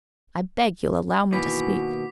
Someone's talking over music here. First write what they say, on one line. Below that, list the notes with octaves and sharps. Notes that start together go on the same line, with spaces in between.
I beg you'll allow me to speak.
D#2 B2 E3 F#4 D6 B6